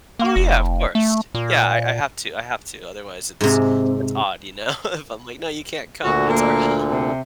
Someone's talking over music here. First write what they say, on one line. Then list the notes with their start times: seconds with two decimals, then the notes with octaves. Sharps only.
Oh, yeah, of course. Yeah, I I have to I have to, otherwise, it's it's odd, you know? If I'm like, “No, you can't come,” but it's our house.
0.19 A#3
0.36 F1
0.95 A3
1.35 A#2
3.41 G#2 C3
6.04 D2 A#2 D3 F#4
6.30 A#3
6.91 C3